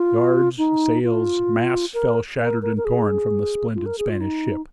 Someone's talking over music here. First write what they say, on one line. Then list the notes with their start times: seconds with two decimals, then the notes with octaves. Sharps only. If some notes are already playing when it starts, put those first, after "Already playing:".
Yards, sails, masts fell shattered and torn from the splendid Spanish ship.
Already playing: F4
0.58 D#4
1.04 F4
1.94 A#4
2.39 A#4
2.62 A#4
2.77 A#4
2.85 G#4
3.75 F4
3.86 A#4
3.98 G#4
4.09 F4
4.21 D#4